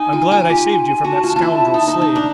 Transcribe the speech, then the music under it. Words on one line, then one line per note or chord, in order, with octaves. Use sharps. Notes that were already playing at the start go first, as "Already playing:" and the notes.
I'm glad I saved you from that scoundrel, Slade.
Already playing: D#4 G#5
F4
F4
G4
F#4 A5
F4
F4
E4
D#4
D#4
D#4
D4 A#5